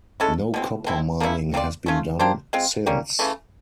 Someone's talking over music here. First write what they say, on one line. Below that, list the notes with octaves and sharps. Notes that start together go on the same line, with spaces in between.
No copper mining has been done since.
G#3 C#4 E4 A4
B2 G#3 C4
B2 G#3 C4 E4
F3 A#3 C#4 E4
C4 F4 A#4 D5
A3 C#4 F4
A#3 D4 G4 C5
G#3 C4 F4
G3 A#3 C#4
C#3 E3 A3